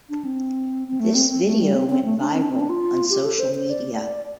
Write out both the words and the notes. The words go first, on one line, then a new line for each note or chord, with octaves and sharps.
This video went viral on social media.
D4
C4
C4
A3
C4
C4
A3
G3
C4
C4
A3
D4
C4
D4
C4
D4
F4
G4
A4
C5
C5
D5